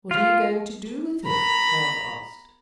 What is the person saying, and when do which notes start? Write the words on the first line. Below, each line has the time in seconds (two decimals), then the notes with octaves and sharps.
"What are you going to do with him?" Charles asked.
0.11 F4
1.25 A#5 B5